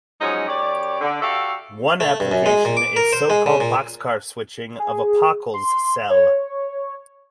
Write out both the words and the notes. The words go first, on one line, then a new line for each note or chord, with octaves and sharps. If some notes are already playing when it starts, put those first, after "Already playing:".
One application is so-called boxcar switching of a Pockels cell.
F3 F#3 G#3 C#4 D#4
F#2 G4 C#5 D5
D3
F#4 G4 A4 D5 E5 F5
A3
G2
F#2
G#3
A#2
D6
A#4
C5
G#3
C#3
A#2
G#4
C6
C#5